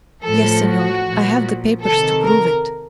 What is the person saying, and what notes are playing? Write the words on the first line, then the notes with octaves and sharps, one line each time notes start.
"Yes, Senor; I have the papers to prove it."
A2 F3 A4
F#4
A#2 F3
C3 D#3 A4
A#4